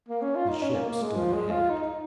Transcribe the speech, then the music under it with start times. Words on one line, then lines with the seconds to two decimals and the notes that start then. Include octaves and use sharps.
The ship stood ahead.
0.09 A#3
0.22 C#4
0.36 F4
0.49 D#4
0.63 C#4
0.76 A#3
0.89 A#3
1.02 G#3
1.16 F3
1.34 G#3
1.51 F4
1.70 D#4
1.83 D#4